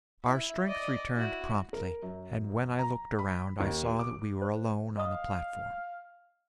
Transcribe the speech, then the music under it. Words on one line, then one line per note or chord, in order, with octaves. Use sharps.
Our strength returned promptly, and when I looked around, I saw that we were alone on the platform.
E4 E5
D5 D#5
E4 F#4
A#4
F#2
A#5
B5
D#2
D6
C5
D#5 F5 D#6